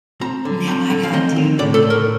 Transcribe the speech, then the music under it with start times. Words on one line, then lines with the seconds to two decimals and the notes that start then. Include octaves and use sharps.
Well, now I got to.
0.21 C4 A#5
0.45 D3
0.68 C4
0.90 D3
1.03 F5
1.13 C4 D#5
1.36 C4
1.59 A2 D5
1.74 A4
1.83 A2
1.90 A#4